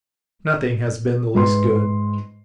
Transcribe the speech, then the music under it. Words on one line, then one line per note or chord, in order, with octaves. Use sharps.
Nothing has been the least good.
G#2 B4 C6